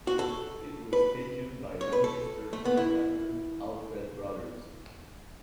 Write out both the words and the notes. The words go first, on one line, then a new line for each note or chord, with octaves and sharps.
It was taken by Manchester photographer Alfred Brothers.
F#4
A4
B4
C#5
B4
A4
A3
B3
E4